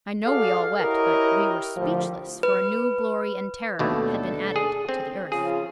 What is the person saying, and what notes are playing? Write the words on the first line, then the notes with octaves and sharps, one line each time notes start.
I know we all wept; but we were speechless, for a new glory and terror had been added to the earth.
F#4 G#4 A4 D5 F5
E4 G4 A#4 C#5 D#5
A2 D3 F3 G3
B4
D#2 B2 A3 D4 A4
G#4
C4
C#3 F3 F4 G#4